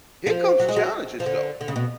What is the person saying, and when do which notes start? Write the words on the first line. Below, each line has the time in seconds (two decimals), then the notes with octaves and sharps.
here comes challenges, though.
0.27 F3
0.60 F#3
0.69 G#3
0.76 F#3
1.20 F3
1.26 D3
1.61 D3
1.68 C#3
1.76 B2